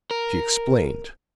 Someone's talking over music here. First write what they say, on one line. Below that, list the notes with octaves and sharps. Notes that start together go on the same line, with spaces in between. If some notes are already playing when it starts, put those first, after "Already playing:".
She explained.
A#4